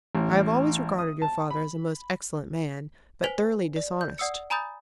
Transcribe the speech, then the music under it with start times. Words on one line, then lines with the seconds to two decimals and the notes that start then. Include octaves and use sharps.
I have always regarded your father as a most excellent man, but thoroughly dishonest.
0.15 A1
0.98 D#6
1.22 A5
1.51 B5
3.24 B4 C5 G#5 B6 F7
3.76 D5
4.01 G6
4.18 D5 F#5 D#6 E6 C#7
4.50 G#5 A#5 B5 D#6 G6 A6